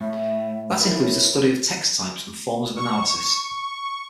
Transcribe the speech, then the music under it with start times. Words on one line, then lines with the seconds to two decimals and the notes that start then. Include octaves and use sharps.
That includes the study of text types and forms of analysis.
0.01 A2 E5
0.80 D#4 E4 A#4 B4
1.02 C#5
2.76 C#6